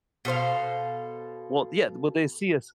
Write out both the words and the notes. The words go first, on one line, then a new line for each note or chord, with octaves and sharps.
Well, yeah, well, they see us
B2 A4 C5 F5